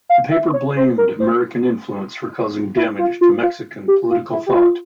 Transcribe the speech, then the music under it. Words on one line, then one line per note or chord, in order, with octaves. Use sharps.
The paper blamed American influence for causing damage to Mexican political thought.
F5
E5
C#5
C5
A#4
C5
E4
F4
F4
F4
G4
F4
E4
G4
F4